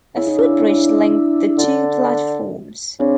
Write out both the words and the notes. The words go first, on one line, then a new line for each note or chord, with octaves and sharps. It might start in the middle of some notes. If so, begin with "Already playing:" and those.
A footbridge linked the two platforms.
C#3 E4
D#4
D4 E4
D3
C#3 C4 D4